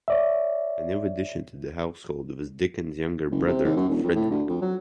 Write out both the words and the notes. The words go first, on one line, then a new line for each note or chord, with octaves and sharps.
A new addition to the household was Dickens's younger brother Frederick.
C#5 D5 E5
F#1
C3
D#2
F#2
E1
F2
A2
D2
F2
F#3